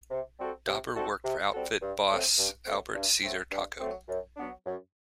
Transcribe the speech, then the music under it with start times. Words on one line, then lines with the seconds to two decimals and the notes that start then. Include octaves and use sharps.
Dauber worked for Outfit boss Albert Caesar Tocco.
0.11 C3
0.40 G3 C4 F#4 A4
0.67 C3
0.96 G3 C4 F#4 A4
1.24 C3
1.53 G3 C4 F#4 A4
1.82 G2
2.10 F#3 A3 C4
2.38 G2
2.66 F#3 A3 C4
2.95 G2
3.23 F#3 A3 C4
3.52 G2
3.80 F#3 A3 C4
4.08 F#2
4.37 F#3 B3 D4
4.65 F#2